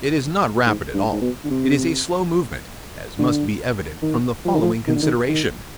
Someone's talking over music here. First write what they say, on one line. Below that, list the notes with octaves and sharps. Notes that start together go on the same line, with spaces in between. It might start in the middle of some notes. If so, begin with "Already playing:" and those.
It is not rapid at all: it is a slow movement, as must be evident from The following consideration.
G#2
G2
G#2
B2
D3
C3
D3
D#3
F3
D#3
F3
D#3
D3
D#3
D#3